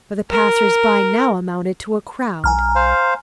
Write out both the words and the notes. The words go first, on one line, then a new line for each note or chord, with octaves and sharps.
For the passers-by now amounted to a crowd.
A#4
B1 G#5 A#5 F6
C5 F5